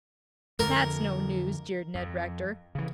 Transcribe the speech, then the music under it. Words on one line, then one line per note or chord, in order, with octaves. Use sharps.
"That's no news," jeered Ned Rector.
F2 D3 A#4
F2
C#3 E3